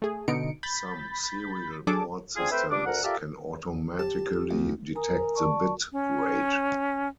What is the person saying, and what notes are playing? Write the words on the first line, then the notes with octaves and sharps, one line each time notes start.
Some serial port systems can automatically detect the bit rate.
A3 G#4
B2 D3 D#4 C#7 D7
B5 G6 A6 B6
F#3 D4 G#4 A4 A5 D6
C4 D4 F4 G#4
A3 C4 B4 C5 E5 G5
G3 D4 D6
D2 A#4 F#5
F4 G4 A4 A#4 D5 E5
G4 A5
D2
A#4 G#5 A#5 D#6
D5 A5 C#6
C#4